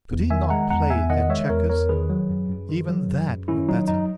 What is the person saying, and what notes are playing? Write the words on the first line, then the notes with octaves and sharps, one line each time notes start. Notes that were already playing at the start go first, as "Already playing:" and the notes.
Could he not play at chequers? Even that were better.
E2
D#3 E5 G#5
G#3 F#5 A#5
E2 F#5 A#5
E2 E5 G#5
D#3 D#5 F#5
G#3 C#5 E5
E2 A#4 C#5
E2 A#4 C#5
D#3 G#4 B4
F#3
F#2
F#2
D#3
F#3
F#2
F#2
D#3 C#4 E4
F#3 D#4
F#2 D#4